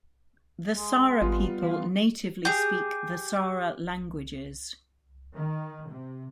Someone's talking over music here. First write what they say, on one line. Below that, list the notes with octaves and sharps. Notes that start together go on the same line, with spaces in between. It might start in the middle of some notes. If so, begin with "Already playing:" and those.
The Sara people natively speak the Sara languages.
G#3
G#1 G3 B3 F4
E3 F5
G4 G#4
D#3
C3